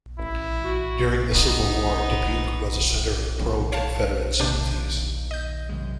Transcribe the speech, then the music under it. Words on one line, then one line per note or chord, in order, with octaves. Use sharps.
During the Civil War, Dubuque was a center of pro-Confederate sympathies.
A1 E4
F#4
B3 D#4
C#5 F5 A5
D#2 C3 D4 G6
D#5 G6
C2 F#2 G#3